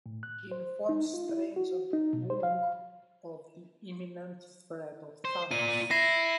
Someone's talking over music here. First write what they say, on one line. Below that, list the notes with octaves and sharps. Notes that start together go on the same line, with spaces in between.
He informs Strange and Wong of the imminent threat of Thanos.
A2
F#6
C5
D#4
F4
E4
F#4
D#4
B2
C5
F5
C5
F4 D5 D#7
E4 A#6 C7